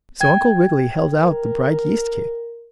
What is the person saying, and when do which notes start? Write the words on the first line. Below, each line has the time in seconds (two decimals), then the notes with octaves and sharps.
So Uncle Wiggily held out the bright yeast cake.
0.20 G5 G#6
1.13 A#4